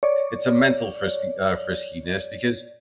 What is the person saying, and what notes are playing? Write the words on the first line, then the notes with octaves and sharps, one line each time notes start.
it's a mental frisky uh, friskiness because
C#5 D5